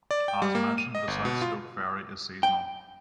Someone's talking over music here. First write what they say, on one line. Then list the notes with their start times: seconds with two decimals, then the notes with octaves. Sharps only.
As mentioned the South Stoke ferry is seasonal.
0.11 D5
0.28 G5
0.42 G3
0.55 A#3
0.78 D#7
0.95 D#5
1.08 G1
1.25 B2
1.42 F4
2.43 G5